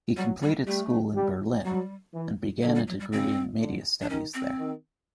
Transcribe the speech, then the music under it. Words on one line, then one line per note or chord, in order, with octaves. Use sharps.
He completed school in Berlin, and began a degree in media studies there.
F#3 G3
G3
G3 A3
G3
F#3 G3
E3
D3 F#3
G3
F#3
G3
C#3 C4
D3
D4
D#3 C#4
C4
D#3